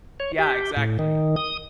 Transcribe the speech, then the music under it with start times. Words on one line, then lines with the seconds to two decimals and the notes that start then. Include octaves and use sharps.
Yeah, exactly.
0.20 C#5
0.38 G4
0.77 A2
0.99 D#3
1.36 D#6